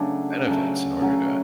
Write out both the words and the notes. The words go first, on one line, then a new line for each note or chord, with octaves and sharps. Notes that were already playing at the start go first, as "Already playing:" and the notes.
benefits in order to,
Already playing: C#3 F#3 A3 D4
C#3 F#3 A3
C#3 F#3 A3